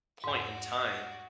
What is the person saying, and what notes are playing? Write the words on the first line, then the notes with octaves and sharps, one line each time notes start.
point in time
E2 G#2 F#4 D5